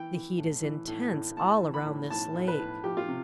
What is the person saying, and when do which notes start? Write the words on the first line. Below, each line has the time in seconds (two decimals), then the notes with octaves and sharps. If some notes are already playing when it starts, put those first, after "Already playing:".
The heat is intense all around this lake.
Already playing: E3 G5
0.14 E3
0.38 A2
0.63 E3
0.87 A2
1.11 A2
1.36 A2 A5
1.62 E3
1.74 B5
1.85 A2
2.10 A2 A5
2.34 A2
2.48 B4
2.59 A2
2.84 F3 G4
2.97 F4
3.08 C3